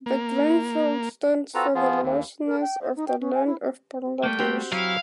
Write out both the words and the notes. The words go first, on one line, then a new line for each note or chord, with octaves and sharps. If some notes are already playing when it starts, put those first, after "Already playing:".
The green field stands for the lushness of the land of Bangladesh.
A#3
C4 F4 F#4 A4 B4 A#5
F3 B3 F4 G#4
D#2
A#4
G5
C5
D#4
G5
C#4
G#5
E4
G3 A3 A#3 G5
C4 F#4 G4
F#3 E4 F5